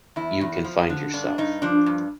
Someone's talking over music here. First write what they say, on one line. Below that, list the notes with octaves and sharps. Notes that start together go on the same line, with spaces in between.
You can find yourself.
E2 E4
E2
F3
D3
G2 D4
G2 D#4
F3 D4
G2